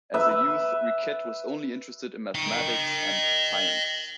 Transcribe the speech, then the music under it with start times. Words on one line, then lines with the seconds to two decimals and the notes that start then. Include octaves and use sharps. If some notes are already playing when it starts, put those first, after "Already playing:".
As a youth, Riquet was only interested in mathematics and science.
0.14 B4 E5
2.35 D#5 G5